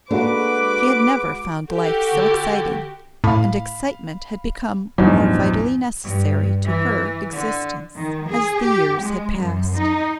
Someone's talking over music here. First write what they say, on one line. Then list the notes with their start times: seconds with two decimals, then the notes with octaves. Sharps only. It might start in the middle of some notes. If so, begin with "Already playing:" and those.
She had never found life so exciting and excitement had become more vitally necessary to her existence as the years had passed.
0.11 G#3 A#3 D4 F#4 A4 B4 D6
1.69 F#4 G4 A4
2.13 D3
3.24 A2 F5 B5
4.98 A1 E2 G2 F3 F#3 D#4 F#4
6.03 G2
6.64 E3
7.31 D3
7.96 D#3
8.29 G#4
8.62 G4
9.01 G#3
9.38 F#2
9.75 D#4